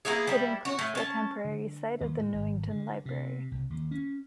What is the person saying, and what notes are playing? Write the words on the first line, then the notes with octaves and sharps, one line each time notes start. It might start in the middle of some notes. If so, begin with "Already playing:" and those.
It includes the temporary site of the Newington Library.
A#3 B3 E4 G#4
G3 E4
F#4
A2
C#4 A5
D3
D#2
A2
G#1
D3
C3
C2
D#2
C#4